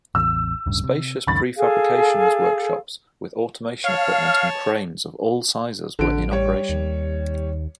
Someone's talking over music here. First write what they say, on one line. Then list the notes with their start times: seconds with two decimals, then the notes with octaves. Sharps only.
Spacious prefabrications workshops with automation equipment and cranes of all sizes were in operation.
0.15 A1 E2 E6
0.66 D1 G2 C#3
0.84 C3
1.27 C#2 F#2 D#3 B5 C#6 A6
1.58 G#4 A4 F5
3.84 C#5 F5 A5
5.99 A1 D3 D7
6.31 G3 C#5
6.69 D#2